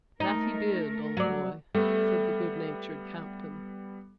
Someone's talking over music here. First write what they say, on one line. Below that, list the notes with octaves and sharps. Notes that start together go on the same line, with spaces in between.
"That he did, old boy," said the good-natured Captain.
A3 D#4 A#4
F#3 D5
G3 A3 B3